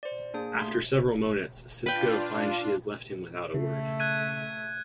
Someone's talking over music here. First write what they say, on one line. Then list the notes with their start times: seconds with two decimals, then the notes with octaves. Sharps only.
After several moments, Sisko finds she has left him without a word.
0.03 C5 D5
0.34 A#3 D4 G#4
0.54 A3 C6
1.86 D4 F4 B4 G5
3.54 C#3 A3
4.00 F#6 G#6 D#7